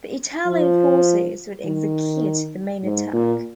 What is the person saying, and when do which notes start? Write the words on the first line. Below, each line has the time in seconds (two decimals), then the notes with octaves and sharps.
The Italian forces would execute the main attack.
0.47 F3
1.65 D#3
2.84 G#2
3.13 A#2